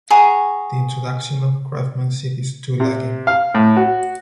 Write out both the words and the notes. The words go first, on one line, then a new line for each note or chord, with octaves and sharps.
The introduction of craftsmanship is too lacking.
G#4 C#5 F#5 A#5
C3
F5
A2
F#4